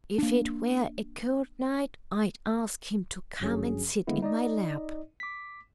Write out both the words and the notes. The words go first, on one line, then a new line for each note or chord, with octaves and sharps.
If it were a cold night I'd ask him to come and sit in my lap.
A#3 D4
G#1 G2 F#3 C#4 G#4
D3 D#3 G#3 A#3 B3 E4
D#4 D5 D#5
D6 B6